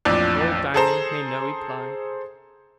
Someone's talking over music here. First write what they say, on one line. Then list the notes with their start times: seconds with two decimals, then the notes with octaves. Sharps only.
Old Diamond made no reply.
0.05 A1 F2 A#2 D4 D5
0.74 G#4 A4 C5 A#5